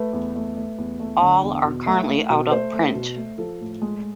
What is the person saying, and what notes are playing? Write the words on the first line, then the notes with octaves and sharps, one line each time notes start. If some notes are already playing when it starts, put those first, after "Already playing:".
All are currently out of print.
Already playing: A3 B4
E2
A3
A3
E2
A3
D3
E2
B2
A3
A3
B2
A3 C5
A3
B2
A3
F3 A4
A2
G#3